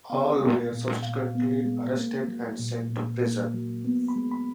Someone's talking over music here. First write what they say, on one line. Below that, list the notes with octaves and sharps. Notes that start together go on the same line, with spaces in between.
All were subsequently arrested and sent to prison.
B3 F5
G#3
A#2
A#2 F5
B3
G#3
A#3
F#3
A#2
A#2
A#3
F#3
B3
B5
G#3
B5